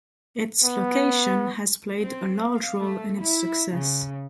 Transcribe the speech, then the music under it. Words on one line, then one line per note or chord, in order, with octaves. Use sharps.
Its location has played a large role in its success.
B3
C4
F5
A3
E4
C#3